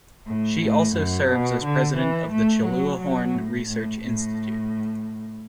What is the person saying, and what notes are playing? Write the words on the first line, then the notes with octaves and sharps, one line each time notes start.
She also serves as president of the Chulabhorn Research Institute.
A2
A2
F#2
B2
D3
E3
A3
F#3
F#3
A2
A2
A2